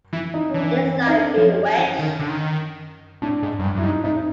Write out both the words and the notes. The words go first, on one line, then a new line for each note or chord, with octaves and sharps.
It is like bewitched.
E3 E4
D#4
C#4
E3 D4
C#4
C4
D#4
D4
F3 C#4
E3
D#3
D3
D#3
A2 D4
G#2
F#2
G2
F#2 E4
G2 D#4
G#2 D#4
D#4